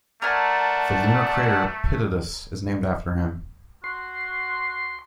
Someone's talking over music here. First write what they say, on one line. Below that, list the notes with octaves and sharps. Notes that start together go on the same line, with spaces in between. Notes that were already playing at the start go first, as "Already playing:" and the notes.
The lunar crater Pitatus is named after him.
A3 A#4 D5 F#5 G#5 A5
F#4 C6